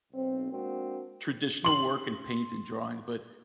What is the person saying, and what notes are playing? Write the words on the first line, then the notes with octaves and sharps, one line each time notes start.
traditional work and paint and drawing, but
B1 C4
G#3 A#3 C4 D4 F#4
C6 F#7